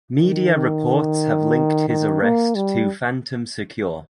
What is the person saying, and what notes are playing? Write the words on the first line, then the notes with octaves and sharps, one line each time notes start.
Media reports have linked his arrest to Phantom Secure.
D#3
D#3
A#3
G3